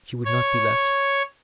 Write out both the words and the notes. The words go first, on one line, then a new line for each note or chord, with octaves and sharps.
"She would not be left."
C#5